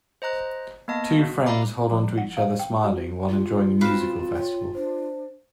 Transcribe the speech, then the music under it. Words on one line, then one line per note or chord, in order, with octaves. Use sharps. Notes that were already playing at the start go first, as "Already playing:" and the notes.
Two friends hold onto each other smiling while enjoying a musical festival.
C5 D#5 A#5 F#6
A#3 B3 D#5 A5
F#4
D5 E5 F5 A#5 B5 D6
F3
F#5
F5
G5
F#4
F4 G4
C4 F#4 B4 F5 E7
C#5 G5
D4 C5